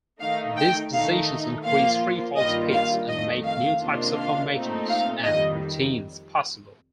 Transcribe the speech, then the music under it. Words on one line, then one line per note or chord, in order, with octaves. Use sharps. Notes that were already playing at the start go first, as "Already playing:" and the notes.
These positions increase freefall speeds and make new types of formations and routines possible.
D#3 A3 D#4 F5
G5
D#3 A3 D#4 F5
A#2 F3 A#3 F4 F5
G2 D#3 G3 A#3 F4 D#5
F5
F2 D#3 A3 D#5
F5
C3 D#3 A#3 D4 F4
F5
A#2 A3 C4 D#4
F5
F2 D#3 G3 D#5